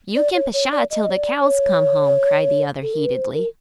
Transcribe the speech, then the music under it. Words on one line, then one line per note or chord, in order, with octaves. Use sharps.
"You kin 'pshaw' till the cows come home," cried the other heatedly.
D5
C#5
C#5
D5
D#5
C#5
D5
C#5
A4
A#4
B4
C5
A#4